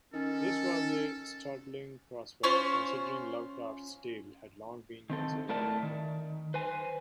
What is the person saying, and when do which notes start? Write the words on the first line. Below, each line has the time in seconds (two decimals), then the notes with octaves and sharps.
This was a startling prospect considering Lovecraft's tale had long been considered unfilmable.
0.14 D#3 C#4 A4
2.43 C#4 F4 C5 C#6
5.10 D#3 C4 A4
5.49 A2 A3 A#4 D5 A5
5.83 D#3
6.54 B4 C5 G#5